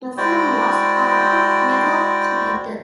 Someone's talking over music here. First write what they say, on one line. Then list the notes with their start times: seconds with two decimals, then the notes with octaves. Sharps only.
The film was, however, never completed.
0.17 G#3 E4 F#4 C5 D5 G5